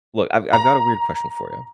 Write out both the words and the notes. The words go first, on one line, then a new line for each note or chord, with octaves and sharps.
look, I've I've got a weird question for ya
A#5